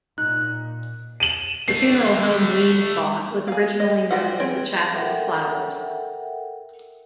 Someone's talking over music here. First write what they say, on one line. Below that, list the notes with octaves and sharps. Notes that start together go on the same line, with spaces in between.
The funeral home Wiens bought was originally known as the Chapel of Flowers.
A#2 D#4 F#6
D#7 E7 F#7
A3 D4 C7
G#4 F5
D#5
G3 G#3 F#4 G4 F#5
B3 C4 G#4 C#5 G5
A4 A#4 E5 F#5 G5